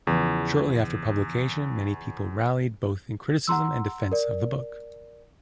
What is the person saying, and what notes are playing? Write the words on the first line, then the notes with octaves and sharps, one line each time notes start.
Shortly after publication, many people rallied both in criticism and defense of the book.
E2 C#3 E3 F3
F#5 A#5 C6 E6
A#4 D5